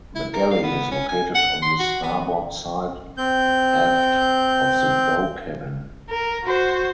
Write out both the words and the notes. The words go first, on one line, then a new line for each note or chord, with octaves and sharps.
The galley is located on the starboard side aft of the bow cabin.
E4
A#4
F5
B3
C#4
G#5
F#5
C6
F#4
B3
C4 G6
A#4
F#4 C5